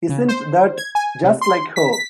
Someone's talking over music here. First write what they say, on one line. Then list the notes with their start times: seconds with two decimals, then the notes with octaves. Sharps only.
Isn't that just like her?
0.09 C#3
0.28 C5
0.77 G#6
0.95 G#5
1.24 C3
1.41 C6
1.76 B6
1.93 B6